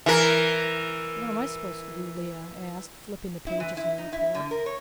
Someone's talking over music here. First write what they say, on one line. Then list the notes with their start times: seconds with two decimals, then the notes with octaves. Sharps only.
"What am I supposed to do?" Lea asked, flipping the pages of the report.
0.06 E3 A#4
3.47 E4
3.60 E3
3.77 E4
3.98 D#4
4.13 E4
4.35 D3
4.51 A#4
4.66 C#5